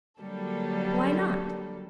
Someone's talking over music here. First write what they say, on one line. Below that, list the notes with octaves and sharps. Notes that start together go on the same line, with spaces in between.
Why not?
D3 F#3 G3 A#3 A4